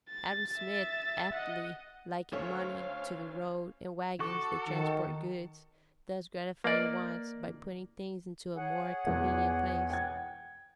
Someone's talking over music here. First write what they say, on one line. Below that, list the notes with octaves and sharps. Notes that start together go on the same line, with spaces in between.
Adam Smith aptly likened money to the road and wagons that transport goods, thus gratifying wants by putting things into a more convenient place.
A6
E5 A6
D#5 F#5
D2 A3 C#4 C#5 F5
F#4 A4 C#6 D6
D#3
A#3 B4 D5 D#5
G#4 C#5 F#5
E2
G5 G#6